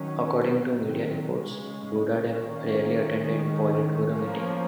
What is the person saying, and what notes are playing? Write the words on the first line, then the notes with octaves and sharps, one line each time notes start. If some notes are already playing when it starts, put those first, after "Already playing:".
According to media reports Budhadeb rarely attended Politburo meeting.
Already playing: D#3 F#3 C#4
D#3 F#3 C4
C#3 G#3 C#4
D#3 A#3 C#4
D#3 G#3 C#4
F3 A#3 C#4